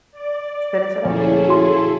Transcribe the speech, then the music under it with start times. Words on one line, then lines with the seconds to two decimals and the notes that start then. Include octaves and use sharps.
finish at home.
0.11 D5
1.04 D2 A#2 F3 C#4 E4 G#4 A4
1.48 F#4 C6